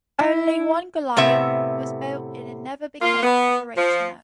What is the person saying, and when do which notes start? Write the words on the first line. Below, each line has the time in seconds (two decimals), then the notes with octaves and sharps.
Only one Goliath was built and it never became operational.
0.21 E4
1.17 A2 C3 B3 E5
3.01 A#3 F4
3.23 B3
3.77 F3